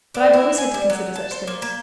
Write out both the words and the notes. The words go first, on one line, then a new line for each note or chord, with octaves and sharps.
But I've always had to consider such things.
D4
E4
G#5
G3
F#3
A5
C5
A#3
A#3